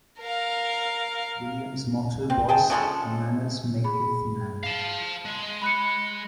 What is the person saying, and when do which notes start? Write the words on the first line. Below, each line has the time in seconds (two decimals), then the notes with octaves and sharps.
William's motto was 'Manners makyth man'.
0.20 A#4 F5
2.30 C4
2.49 G#4 G5 A5
2.70 C#3 F3 G#3 A4
3.84 G#4 B5
4.64 F5 A5
5.26 G#3
5.62 B5 F#6 C#7